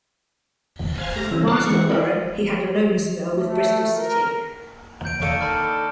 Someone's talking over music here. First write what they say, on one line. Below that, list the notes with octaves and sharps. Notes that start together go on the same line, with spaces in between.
Whilst at Boro he had a loan spell with Bristol City.
C5 F5 G#5 F6 F#6 G#6
A3 G4 F5 A#5 A#6
C#3 E3 G3 C4 E4
A#4 F5 F#5 A5 C6 F#6
E3 G#3 C4 F#5 C#6
E4 A#4 D5 D#5 B5
A3
A#4
G6 D7
D#3 A#3 D4 A4 C#6 C#7 D#7
A5 B5 F6